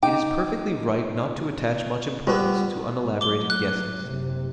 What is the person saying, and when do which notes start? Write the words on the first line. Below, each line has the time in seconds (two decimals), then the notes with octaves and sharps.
It is perfectly right not to attach much importance to unelaborated guesses.
0.03 D#4 G5 D6
2.27 G3 B3 F4 C5 C#6
3.21 A2 F#3 D6 G7
3.50 F#6
4.05 F#1 C3